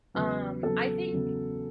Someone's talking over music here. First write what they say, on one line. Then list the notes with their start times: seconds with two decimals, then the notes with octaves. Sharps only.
Um, I think
0.14 E2 C#3 F#3 B4
0.63 E2 C#3 F#3 A4
1.13 E2 C#3 F#3